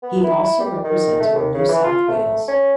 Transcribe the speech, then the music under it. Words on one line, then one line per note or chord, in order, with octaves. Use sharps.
He also represented New South Wales.
B3
E4
G3
D#3
A3
D#2
C#3
E3
F4
A3
C#4